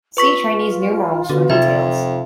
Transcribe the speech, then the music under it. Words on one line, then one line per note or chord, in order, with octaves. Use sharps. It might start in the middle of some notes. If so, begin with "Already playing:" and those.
See Chinese numerals for details.
F4 B4 C#6 B6
B2 D3
F2 C3 D#4 E5